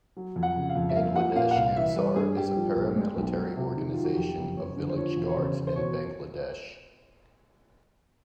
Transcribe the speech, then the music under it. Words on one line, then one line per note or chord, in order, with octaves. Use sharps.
Bangladesh Ansar is a para-military organization of Village Guards in Bangladesh.
F#3
F2
F#5
C#3
F5
F2
E5
A#3 F5
F3 F#5
A#2 F5
F#5
C2 F5
E3 E5
G3 B4
G2 G#4
G3 G4
F3
B1
G#3
B1
F#3
C3
D#3
F#3 F4
F#4
F2 G4
F#1
F#1 C#5
D3
C5
F3 C#5
E1
C#5
C#3 C5
E2
C5
B2 C#5